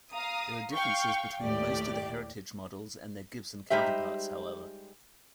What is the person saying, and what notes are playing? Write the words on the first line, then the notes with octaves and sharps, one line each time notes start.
There are differences between most of the Heritage models and their Gibson counterparts, however.
F5 A#5 D#6
F5 G5 C#6
D#2 A2 G4 D5
G3 G#3 D#4 G4 C5 E5